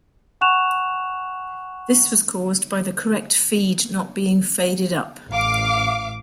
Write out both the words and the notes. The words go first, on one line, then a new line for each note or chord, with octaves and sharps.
This was caused by the correct feed not being faded up.
F#5 G#5 C#6 F#6 E7 F7
A1 F5 D6